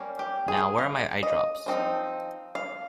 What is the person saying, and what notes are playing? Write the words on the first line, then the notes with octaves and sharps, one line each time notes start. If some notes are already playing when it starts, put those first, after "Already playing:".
Now, where are my eyedrops?
Already playing: G3 A#3 C#4
G4
G#4
F5
D#5
F3 C4 D#4
F5